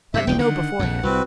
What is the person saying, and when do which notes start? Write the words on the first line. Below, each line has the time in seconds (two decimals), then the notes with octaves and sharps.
Let me know beforehand....
0.14 G2 C3 E5
0.27 E1 C2 F3 G5
0.39 D3 D#3 F#5
0.79 A#1 F2
1.03 C2 C4 F#4 B4